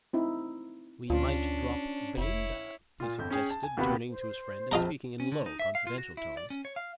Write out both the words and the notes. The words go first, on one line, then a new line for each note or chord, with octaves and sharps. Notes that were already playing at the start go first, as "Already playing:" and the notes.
"We might drop Belinda," he suggested turning to his friend and speaking in low, confidential tones.
C4 D#4 E4
D2 C#4 D4 F4
F1 E4 C#5
A#2 F4
G1 F2 G6
C#4 G#4 G5
A5
G#5
D#2 C3 B3 F#4 B5
C5
A#1 F2 F4 D#5 A5 A#5
C#4
D3
D#4
E5
F5
F4
F#4
E4
D5
C#4
C#5
F5